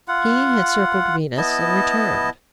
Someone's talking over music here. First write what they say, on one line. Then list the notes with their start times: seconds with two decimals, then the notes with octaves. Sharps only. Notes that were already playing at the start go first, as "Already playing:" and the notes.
He had circled Venus and returned.
0.08 F4 F#5
1.38 B3 E4 D#5 A5